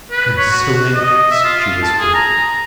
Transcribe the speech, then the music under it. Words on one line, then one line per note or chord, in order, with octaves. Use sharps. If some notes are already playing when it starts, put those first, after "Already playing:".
"I am so anxious," she whispered.
B4
C#5
F#4
D#5
E5
F4
F4
A5
G#4
A#5